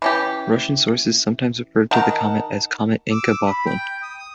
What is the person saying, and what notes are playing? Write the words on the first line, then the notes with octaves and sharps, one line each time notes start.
Russian sources sometimes referred to the comet as Comet Encke-Backlund.
E3 C#4 G4
D#3 F#5 A5 A#5
D6 E6
B5
G5
D#6